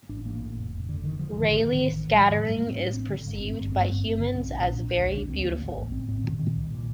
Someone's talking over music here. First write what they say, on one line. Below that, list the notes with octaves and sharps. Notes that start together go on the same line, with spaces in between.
Raleigh scattering is perceived by humans as very beautiful.
A1 D4
A1 A#3
A2
F1
F1
F1 D3
D3 D#3
D3 F3
A1 D#3
A1 D3
A1 D#3
A1 D#3
A1
A2 G3
F3
A2 D#3
F3
A2 G3
A3
A2
C4
A2 D4
A1 C4
D3
G1
G2 C4
G1
G2 C4
A#3
G1 C4
G1
D3
A#1 C4
A#2 D4
C4
A#1 D4
A#1
D2
D2 D4
D2 C4
D2 A#3
A1
A1
A1 C4
A2 C4
A#2 D#3
A#2 D#3
C2
A#2